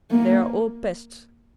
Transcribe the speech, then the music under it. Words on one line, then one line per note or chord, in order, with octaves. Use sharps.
They are all pests.
A#3